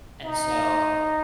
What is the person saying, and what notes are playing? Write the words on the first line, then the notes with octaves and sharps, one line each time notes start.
And so,
D#4